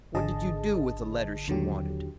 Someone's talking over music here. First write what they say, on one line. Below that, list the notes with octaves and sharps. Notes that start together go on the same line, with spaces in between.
"What did you do with the letters she wanted?"
G#1 D3 G#4 D#5 A5
D#2 D3 F#3 G4